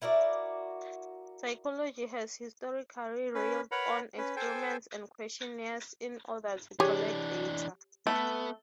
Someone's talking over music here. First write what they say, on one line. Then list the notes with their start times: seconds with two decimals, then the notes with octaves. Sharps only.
Psychology has historically relied on experiments and questionnaires in order to collect data.
0.02 E4 F#4 A#4 D5
3.35 C#4 B4
3.72 A#4 B4 C#5 F#5 A#5 B5
4.18 C#4 B4
4.36 A4 C5 G5 G#5
6.80 E3 D4 G4 G#4 C#5
8.07 A3 B3